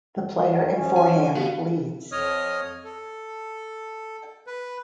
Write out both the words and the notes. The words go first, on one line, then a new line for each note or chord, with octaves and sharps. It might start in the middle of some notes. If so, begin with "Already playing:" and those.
The player in forehand leads.
F2 D#3
F3 C#4
G#5
B3 F#4 G4 F5
F2 C#5 D#5 D#6 F6
A4
B4